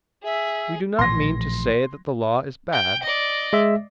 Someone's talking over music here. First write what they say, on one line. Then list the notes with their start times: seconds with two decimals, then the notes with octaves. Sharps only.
We do not mean to say that the Law is bad.
0.24 G#4 E5
0.99 A#1 A2 E3 C6 A#6
2.72 G5
3.03 D5 D#5
3.53 G#3 E5